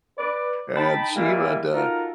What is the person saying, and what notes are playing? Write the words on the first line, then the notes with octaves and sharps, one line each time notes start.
And she would, uh
B4 D5
D#4 G5 A5 B5
E3 G3 G#3 A#3 E4
D#4 F4 F#4 A4 A#4